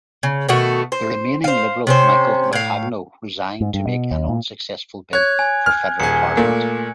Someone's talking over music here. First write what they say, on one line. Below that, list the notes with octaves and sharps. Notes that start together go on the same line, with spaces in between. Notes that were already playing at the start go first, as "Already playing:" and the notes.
The remaining Liberal, Michael Maccagno, resigned to make an unsuccessful bid for federal parliament.
C#3
B2 D#3 A3 F#4
C5
C5 F5
C3 C#4 C5
A2 F5
G#2
G2
B2
D#2
A#2
C#5 F#6 G#6
G#5
F6
D#1 G#4 C#7
A#2 A3 A#3